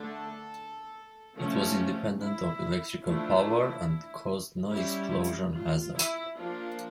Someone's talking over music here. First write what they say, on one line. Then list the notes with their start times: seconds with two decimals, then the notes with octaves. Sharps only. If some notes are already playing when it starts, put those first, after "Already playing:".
It was independent of electrical power, and caused no explosion hazard.
Already playing: D3 A3 D4 A4
1.37 D3 F3 A3 C#4
2.21 E4
3.04 F3 A3 D4 E4
4.71 G3 C#4 E4
5.54 F4
5.97 E4
6.37 F3 A#3 D4 F4